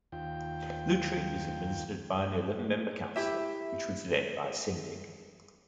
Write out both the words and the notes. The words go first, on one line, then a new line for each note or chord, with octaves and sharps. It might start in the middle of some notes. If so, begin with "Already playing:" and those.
Lutry was administered by an eleven-member council which was led by a Syndic.
D#2 F4 G5
E4 G4 E5